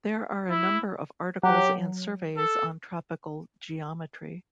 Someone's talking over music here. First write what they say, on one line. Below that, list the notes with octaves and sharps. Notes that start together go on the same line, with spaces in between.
There are a number of articles and surveys on tropical geometry.
E4
F#3 G4
A4